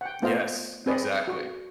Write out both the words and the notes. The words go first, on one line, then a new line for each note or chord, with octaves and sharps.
Yes, exactly,
F#5 G5
A3 B3 F4 C5 D#5 F5
C4 G#4 B4 D5 D#5
F#4